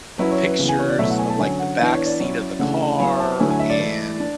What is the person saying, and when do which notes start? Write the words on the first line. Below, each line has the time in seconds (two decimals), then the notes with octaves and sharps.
pictures of, like, the back seat of the car, and,
0.18 F#3 C#4 E4 B4
0.32 C#5
0.46 B4
0.59 C#3 E3 B3
0.69 G#5
0.79 C#5
0.89 D5
0.99 B2 F#3 A3 E4 E5
1.10 F#5
1.19 G#5
1.30 A5
1.39 D3 F#3 C#4 G#5
1.59 F#5
1.79 E3 B3 D4 E5
1.93 C#5
2.06 D5
2.20 F#3 C#4 E4
2.59 C#3 E3 A3 D4 F#5
3.00 F#3 B3 E4 G#5
3.20 A5
3.40 D3 F#3 A3 E4 G#5
3.50 G#5
3.59 E5
3.70 D5
3.80 E3 A3 E4
4.20 D4